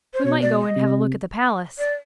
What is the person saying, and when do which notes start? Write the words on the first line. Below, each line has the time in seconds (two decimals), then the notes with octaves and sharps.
'We might go and have a look at the Palace.'
0.14 C5
0.25 B2 C#5
0.42 D5
0.59 D#5
0.76 C3
1.78 D5